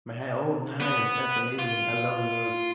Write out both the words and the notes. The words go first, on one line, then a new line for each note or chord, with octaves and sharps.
Maha Oh, nice, that's amazing. I love New York.
B3
F4